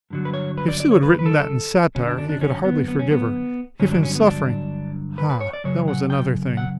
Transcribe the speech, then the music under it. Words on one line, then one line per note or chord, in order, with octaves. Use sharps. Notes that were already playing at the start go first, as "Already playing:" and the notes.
If Sue had written that in satire, he could hardly forgive her; if in suffering--ah, that was another thing!
G2 D3 F#3
B4
C#5
B4
D5
D5
C#5
B4
B4
A4
F#2 D3 F#3 C#4
D4
D4
D4
C#4
B3
B3
C#4
B3
G2 D3 F#3 C#4
D4
C#4
B3
D4
B4
B4
C#5
D5
F#2 C#3 F#3 C#5
F#5
G5
F#5